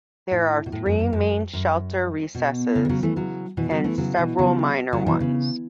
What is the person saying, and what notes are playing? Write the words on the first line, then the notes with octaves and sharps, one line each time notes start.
There are three main shelter recesses and several minor ones.
A2
B2
A2
F#2
F#2
F#2
F#2
B2
C#3
E3
C#3 F#3
E3 A3
C#3 F#3
B2 E3
C#3 F#3
E3 A3
C#3 F#3
B2 E3
C#3 F#3
C#3 F#3
B2 E3
C#3